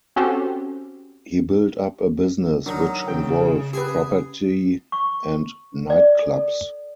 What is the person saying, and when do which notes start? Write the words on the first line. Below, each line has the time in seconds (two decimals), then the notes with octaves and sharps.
He built up a business which involved property and nightclubs.
0.16 C4 C#4 F#4 G4 A4 C5
2.66 D#3 F#3 D4
3.07 C#3 G5
3.41 G#4
3.73 G4 G#4 B4 G#5
4.92 C#6
5.90 D5
6.19 A4